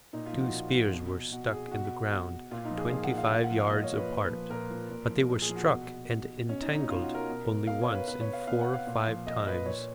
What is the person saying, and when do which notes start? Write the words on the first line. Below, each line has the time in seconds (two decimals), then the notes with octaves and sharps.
Two spears were stuck in the ground twenty-five yards apart, but they were struck and entangled only once in four or five times.
0.13 A#2 D#4
0.26 F4
0.33 F3
0.40 F#4
0.53 A#2
0.73 F3
0.93 B2
1.32 B2 F#4
1.52 G#4
1.71 B2 F#4
2.12 B2
2.51 A#2 F4
2.65 D#4
2.71 F3
2.78 G#4
2.91 A#2 F5
3.04 F#5
3.11 F3
3.18 F5
3.30 A#2 F5
3.44 F#5
3.51 F3
3.58 F5
3.71 A#2 D#5
3.84 C#5
3.91 F3
3.97 B4
4.10 A#2
4.30 F3
4.50 A#2 A#4
4.70 F3
4.90 A#2
5.10 F3
5.30 A#2
5.42 G#4
5.49 F3
5.55 F#4
5.70 B2
6.09 B2
6.49 B2 C#4
6.62 D#4
6.74 D#4
6.88 B2 F4
7.02 F#4
7.15 A#4
7.28 B2
7.67 B2 F5
7.81 C#5
7.94 B4
8.07 B2 B4
8.21 C#5
8.33 F5
8.47 B2 F5
8.61 F#5
8.74 F5
8.87 A#2
9.07 F3
9.27 A#2 D#5
9.47 F3 B4
9.66 A#2 C#5